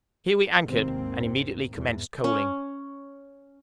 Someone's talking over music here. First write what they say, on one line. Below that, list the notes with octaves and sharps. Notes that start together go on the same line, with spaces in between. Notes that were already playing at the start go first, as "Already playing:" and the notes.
Here we anchored, and immediately commenced coaling.
G#1 D#2 G#2 C3 A#3 C4
E2 G#2
C#4